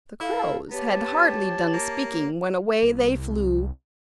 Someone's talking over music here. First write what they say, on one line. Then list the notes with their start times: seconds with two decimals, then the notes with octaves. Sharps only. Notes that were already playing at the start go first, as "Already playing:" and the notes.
The crows had hardly done speaking when away they flew.
0.20 E4 A4 F5
0.71 B3 G4 C#5 A5
1.73 A#3
2.83 C2